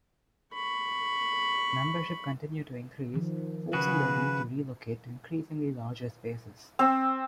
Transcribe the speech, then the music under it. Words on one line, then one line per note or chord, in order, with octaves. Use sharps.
Membership continued to increase, forcing the League to relocate to increasingly larger spaces.
B5 C#6
D#3 F3
C#3 F#4 G#4 B4
C4